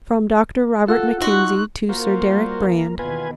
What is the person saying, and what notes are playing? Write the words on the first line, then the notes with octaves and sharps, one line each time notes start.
From Dr. Robert Mackenzie to Sir Deryck Brand.
F4 A4 F#5 E6 F#6
D#4 F#4 C6 C#6 F#6
A#3 F4 F#4 A#4 C5
G3
D#2
E2 B2 D#3 F4 B4 G#5